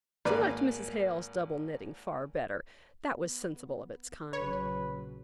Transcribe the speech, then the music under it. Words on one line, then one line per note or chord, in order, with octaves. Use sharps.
She liked Mrs. Hale's double knitting far better; that was sensible of its kind.
G#1 A#3 B4 D5 D6 F#6
B3
A#1 C#3 F#3 B4 C#5